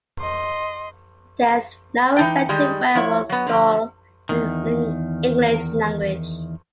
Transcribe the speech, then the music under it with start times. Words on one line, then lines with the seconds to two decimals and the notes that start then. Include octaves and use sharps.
There is no respective word for Schorle in the English language.
0.20 D#5 C6
2.17 E3 D#4 G5
2.49 D#3 G3 G#3
2.95 F3 E4 C#5
3.29 F#3 B3
3.46 D3 F3
4.29 E2 D#3